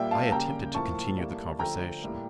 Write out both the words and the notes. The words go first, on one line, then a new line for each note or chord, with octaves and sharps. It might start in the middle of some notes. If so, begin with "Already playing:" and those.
I attempted to continue the conversation.
Already playing: A#2 G3 A#3 E5 G5
F5 A5
C#3 G3 A#3 G5 A#5
A2 F3 A#3 A5 C#6
A2 G3 A#3
D3 F3 A3 G5 A#5
A2 G3 A#3